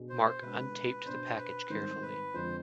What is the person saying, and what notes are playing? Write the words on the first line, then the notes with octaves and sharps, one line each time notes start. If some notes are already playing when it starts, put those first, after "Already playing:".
Mark untaped the package carefully.
Already playing: B2 B3 D4 G#4
C5
C5
B2 G#3 D4 B4
B2 B3 D4 C5
B4
G#2 D#3 G3 C4 C5
B4
F2 D3 G#3 C4 C5